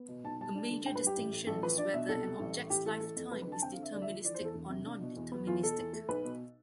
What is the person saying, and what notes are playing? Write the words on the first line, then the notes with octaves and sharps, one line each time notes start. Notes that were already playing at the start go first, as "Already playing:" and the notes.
A major distinction is whether an object's lifetime is deterministic or non-deterministic.
Already playing: B3
B2
B1 A5
G3 A5
D4 A5
D3
G2 G5
B4
G3
G4
A1
A2
A1 A4
F3 B4
D4 D5
B2 E5
C2 A4
G3
A1
A2
A1 G4
E3 A4
A3
F2
F1 B4
B4
D3
A5
C4 G5
F5
D3
E5
D2 D5
E5
F3
E3 D5
C5
E2
A4
E1
C3
D4
B2
E2
B3
E2 F4
B2 A4
E2
A3
B1 B4
B2